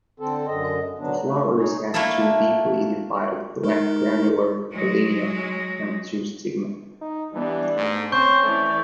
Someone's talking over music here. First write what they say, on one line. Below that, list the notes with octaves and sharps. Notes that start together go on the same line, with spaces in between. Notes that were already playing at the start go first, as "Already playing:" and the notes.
The flowers have two deeply divided granular pollinia and two stigma.
D3 C4 A4
F#2 D3 D#5
D3 F#3 B3 D4
A3
D#4 G#4 C#5
A3 A#3 D4 E4 A4
G#3 D#4 A#4
F#3 G#3
D#4
E3 G3 B3 D4
G#2 A3
C4 C#4 C5 C#6 G6
E3 A3 B4 D5